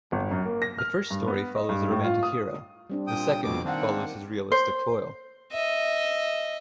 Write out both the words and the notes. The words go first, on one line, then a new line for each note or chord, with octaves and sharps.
The first story follows the romantic hero, the second follows his realistic foil.
G1
F#2
A#3
A#6
F6
G2
B3
D#5
G2
A2
F4
D#6
G3 C4 D4
A#2 G5 D#6
F2 B2 D6
D#3 A#3 C4 D4 F#5
C5
D#5 E5